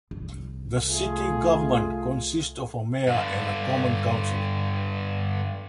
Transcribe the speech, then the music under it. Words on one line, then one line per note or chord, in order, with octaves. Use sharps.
The city government consists of a mayor and a common council.
C2
A3 F4 G#4
G2 D3